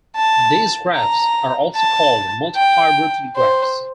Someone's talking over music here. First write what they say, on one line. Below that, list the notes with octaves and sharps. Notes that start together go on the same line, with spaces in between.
These graphs are also called multiply rooted graphs.
A5
A#5
A5
G5
C5